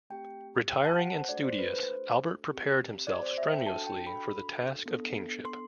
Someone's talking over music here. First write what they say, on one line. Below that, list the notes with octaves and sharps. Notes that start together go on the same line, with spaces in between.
Retiring and studious, Albert prepared himself strenuously for the task of kingship.
A3 C4 G4 G5
G5
A5
F#5
C5
A3 D4 F#4 A4 D5
C5
B4
C5
C4 G4
D5
C5
E5
G5
D4 F#4 A4 A5
G5
B5
B3 D4 A4
C6